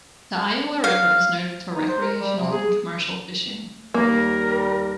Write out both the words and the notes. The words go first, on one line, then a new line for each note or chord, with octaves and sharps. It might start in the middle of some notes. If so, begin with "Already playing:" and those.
The Iowa River is noted for recreational and commercial fishing.
F5
D#4
C5
A#4
G3
C3
G#4
D#2 G3 A#3 A#4